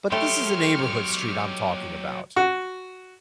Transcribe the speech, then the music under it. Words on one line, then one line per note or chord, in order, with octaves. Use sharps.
but this is a neighborhood street I'm talking about,
F#3 G3 A3 G4 A4 C6 C#6 F6
F#4